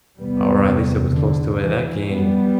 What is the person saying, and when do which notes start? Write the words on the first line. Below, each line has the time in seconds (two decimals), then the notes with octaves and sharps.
or at least it was close to it. That game
0.18 E2 C3 G3 B3
1.13 D3
1.61 E3
2.09 G3 B3